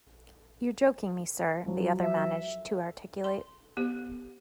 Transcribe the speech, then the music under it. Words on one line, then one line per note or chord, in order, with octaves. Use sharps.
You're joking me, sir, the other managed to articulate.
F3 F#3
E5
C6
B3 G4